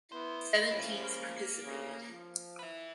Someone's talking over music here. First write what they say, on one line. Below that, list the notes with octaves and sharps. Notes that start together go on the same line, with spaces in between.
Seven teams participated.
A3 B3 E4 C5
C#3 F3 C4 E4
A#3
D2 C#3
F3
B4 E5